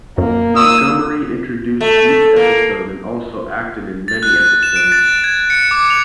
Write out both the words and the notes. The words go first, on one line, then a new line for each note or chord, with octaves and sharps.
Montgomery introduced each episode and also acted in many episodes.
F#2 A#3
D#6 E6
A3
A#3
A6
F#6
F#6
E7
D7
A6
G#6
C#7
D6
F7